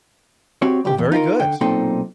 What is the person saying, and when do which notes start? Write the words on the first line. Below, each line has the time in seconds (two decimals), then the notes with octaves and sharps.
Oh, very good.
0.62 C4 F#4 G4 C#5
0.85 C#2 G4
0.98 E2
1.12 D#4 F4 A4 A#4
1.40 D3 G5
1.61 B1 A#2 C4 D#4 A4 G5